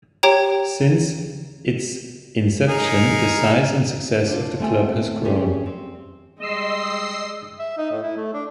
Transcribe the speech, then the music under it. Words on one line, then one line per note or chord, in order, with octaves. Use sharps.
Since its inception the size and success of the club has grown.
G4 C#5 G5 A#5
D#4 G#4 A#4
D4 F4
D2 A3 B3 C4 G#5
C#4 G4 G#4 C5
C4
G3 G#3 D#5 E6 C7
E5
D#4
A2
E4
A3
D4